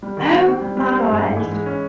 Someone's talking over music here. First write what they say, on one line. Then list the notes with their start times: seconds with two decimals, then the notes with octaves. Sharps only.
Oh my gosh.
0.03 G3
0.17 D#3
0.32 C4
0.47 C4
0.61 G3
0.77 G3
0.91 C4
1.07 G2
1.21 G#2
1.37 E3
1.51 G#3
1.66 C#4